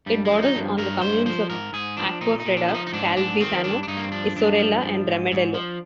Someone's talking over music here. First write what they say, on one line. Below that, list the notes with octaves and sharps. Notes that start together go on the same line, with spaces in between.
It borders on the communes of Acquafredda, Calvisano, Isorella and Remedello.
G2 G3
G#3
F3
D#4
G2
G2 A#4
G2 C5
F3 C5
G#2 A#4
G#2 G#4
F3 D4
A#2 D#4
D#4
A#2
D4
F3
D#4
D#4
G#2 D4
G#2 D4
D#3 C4
G2 D4
D4
G2 D#4
A#3
C4
F3 D4
G2 D4
F3
G2
G#2
G#2
F3